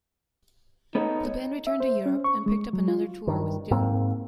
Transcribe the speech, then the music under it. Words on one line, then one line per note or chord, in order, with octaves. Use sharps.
The band returned to Europe and picked up another tour with Doom.
B3 D#4 A4 C#5
E5
C5
C#4
C#6
G#3
F#3
F4
G2 D#3
G#2 A#3 C4